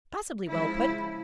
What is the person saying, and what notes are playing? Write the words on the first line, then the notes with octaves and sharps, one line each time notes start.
"Passably well put."
C#3 F3 G#3 E4